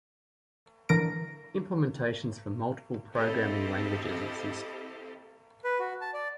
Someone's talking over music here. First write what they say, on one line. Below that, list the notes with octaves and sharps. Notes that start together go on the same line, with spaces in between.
Implementations for multiple programming languages exist.
D3 E3 A#4 A#6 D7
C4 E4 G4 A4 D#5 F5
B4
F#4
A5
D5